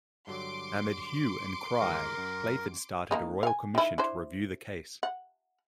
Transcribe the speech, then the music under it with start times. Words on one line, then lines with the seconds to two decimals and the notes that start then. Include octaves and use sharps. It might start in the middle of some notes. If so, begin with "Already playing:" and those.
Amid hue and cry, Playford started a Royal Commission to review the case.
0.27 G2 D3 F#3 C6 D6 D7
1.81 G1 D#3 G#3 A#4
2.17 F#2 A#5
3.11 D#3 A#3 D#4
3.43 F5 G#5
3.75 D#3 E4
3.98 D4 E4 C5
5.03 F#5